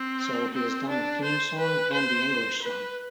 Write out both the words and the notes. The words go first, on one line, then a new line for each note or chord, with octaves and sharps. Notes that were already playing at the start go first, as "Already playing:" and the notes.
So he has done the theme song and the English song.
Already playing: C4
C4
D4
C5
B4
C5
B4